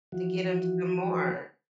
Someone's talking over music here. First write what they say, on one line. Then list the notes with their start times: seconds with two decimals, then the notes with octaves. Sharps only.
to get 'em some more.
0.12 E3 F3 F#4